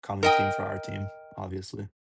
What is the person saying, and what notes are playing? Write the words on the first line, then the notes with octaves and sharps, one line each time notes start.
common team, for our team, obviously.
A#4 D#5 G5